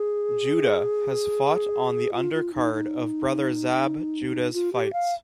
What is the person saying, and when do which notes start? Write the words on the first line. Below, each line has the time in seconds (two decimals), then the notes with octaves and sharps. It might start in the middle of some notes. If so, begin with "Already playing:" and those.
Judah has fought on the undercard of brother Zab Judah's fights.
Already playing: G#4
2.14 F4
2.34 F4
2.54 D#4
2.74 D#4
4.53 F4
4.73 G4
4.93 F5